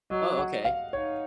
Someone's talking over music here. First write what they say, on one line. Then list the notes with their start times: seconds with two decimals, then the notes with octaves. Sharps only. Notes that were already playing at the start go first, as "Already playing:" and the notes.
Oh, okay.
0.10 F#3 D#5
0.38 F#5
0.65 F5
0.93 D#4 C#5